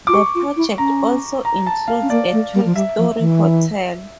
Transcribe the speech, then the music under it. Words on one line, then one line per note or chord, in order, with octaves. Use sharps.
The project also includes a twelve-story hotel.
F4 D6
G4 C#6
F4
E4
C#4 A#5
A#5
A5
F5
C#4
A#3 D5
A3
G3
F3
G3 E5
F3
E3